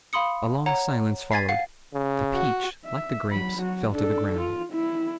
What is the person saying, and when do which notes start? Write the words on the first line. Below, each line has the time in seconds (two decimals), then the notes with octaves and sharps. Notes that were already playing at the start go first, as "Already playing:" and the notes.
A long silence followed; the peach, like the grapes, fell to the ground.
0.13 F5 B5 C6 D#6 C#7
0.66 C#5 F#5 A#5
1.32 G#5 G#6 A6 B6 C7
1.49 F5 F#5 C7
1.94 C#3
2.33 F#4
2.85 E5
3.31 F#3 B5
3.59 F#3 F#4
3.92 D4 A4
4.39 F4
4.72 E4